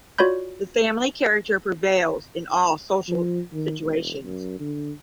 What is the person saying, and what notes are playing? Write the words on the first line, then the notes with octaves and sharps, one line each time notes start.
The family character prevails in all social situations.
F4 F#4 C#5 D5 B5 G6
F3
D#3
E1
F#2
D3